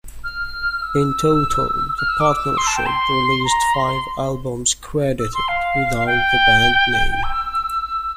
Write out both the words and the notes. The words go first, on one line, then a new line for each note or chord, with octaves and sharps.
In total, the partnership released five albums credited without the band name.
F6
E6
F6
E6
D6
E6
C6
A5
G5
C6
A#5
C6
E6
C6
F5
F5
G5
E6